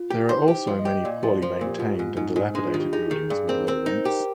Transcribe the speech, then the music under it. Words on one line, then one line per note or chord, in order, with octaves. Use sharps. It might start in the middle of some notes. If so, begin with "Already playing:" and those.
There are also many poorly maintained and dilapidated buildings with low rents.
Already playing: F4
G4
D#4 C5
G4 C5
F3
D#5
G4
D#5
A#2 D5
F3
F3 C5
A#4
A#2
G4
G#2 F4
G#2
G#2 D#4
G#2
G#3 D4
F4
D#3
G4
D#4 G#4
D#3
G2 G#4
C4 A#4
C4 A#4
D#4 C5
G4 A#4